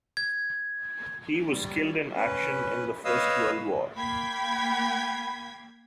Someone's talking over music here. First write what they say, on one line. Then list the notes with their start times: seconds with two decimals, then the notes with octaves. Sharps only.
He was killed in action in the First World War.
0.17 G#6
1.50 G3
2.16 C#4 B4
3.05 B4 C#5 D#5 F5 D#6 E6
3.96 A#3 G5 B5 G#6 B6